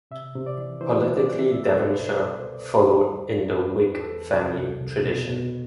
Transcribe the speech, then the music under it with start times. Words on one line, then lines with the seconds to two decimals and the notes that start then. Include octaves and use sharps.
Politically Devonshire followed in the Whig family tradition.
0.11 C3 E5
0.35 C3
0.46 D5
0.58 E3
0.81 E3 C5
1.05 E3
1.17 D5
1.28 E3
1.52 C2 E5
1.66 A4
1.73 B4
1.76 C2 C5
1.87 D5
1.99 B2
2.22 B2 D5
2.46 C2
2.69 C2
2.93 E2 C5
3.17 E2
3.40 E3
3.63 E2 B4
3.87 E2
3.99 A4
4.11 E2
4.34 C2
4.57 C2
4.81 C2
5.05 B2
5.29 B2